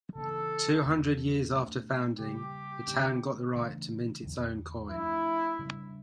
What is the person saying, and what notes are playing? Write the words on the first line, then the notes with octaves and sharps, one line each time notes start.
Two hundred years after founding, the town got the right to mint its own coin.
C#3 E3 A#3 D4 A4
E2 E3 A#3
A#2 A3 D4
C#3 G3 A#3 G4
D3 F3 A#3 D4
C#3 E3 A3 D4
E2 D3 F3
G2 F3 A3 D4 E4
C#3 G3 D4